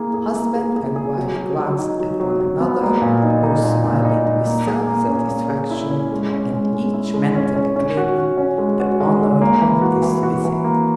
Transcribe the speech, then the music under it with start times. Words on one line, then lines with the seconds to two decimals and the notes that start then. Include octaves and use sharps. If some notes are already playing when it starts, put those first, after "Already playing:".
Husband and wife glanced at one another, both smiling with self-satisfaction, and each mentally claiming the honor of this visit.
Already playing: A#3 E4 G#4
0.14 G#4
0.34 A#3
0.55 G#4
0.76 G#4
0.96 G#4
1.17 F#3
1.37 F#3
1.59 F#3
1.78 D#4
2.00 F#3
2.20 F#3
2.40 F#3
2.60 B3
2.81 A#3
3.02 A#2
3.23 D#4
3.44 D#4
3.64 A#2
3.84 A#2
4.05 D#4
4.26 D#4
4.46 A#3
4.67 G#4
4.87 A#3
5.08 C#4
5.29 A#3
5.50 G#4
5.71 E4
5.90 C#4
6.12 G#3
6.33 C#4
6.53 G#3
6.74 G#3
6.93 E4
7.14 G#3
7.35 C#4
7.56 C#4
7.76 C#4
7.97 F#4
8.18 F#4
8.37 C#4
8.58 G#3
8.80 F#4
9.00 G#3
9.21 G#3
9.41 A#3
9.62 E3
9.82 F#4
10.02 E3
10.23 F#4
10.44 E3
10.64 A#3